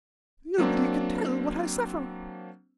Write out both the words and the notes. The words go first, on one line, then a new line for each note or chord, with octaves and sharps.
Nobody can tell what I suffer!
F#3 A#3 C4 D4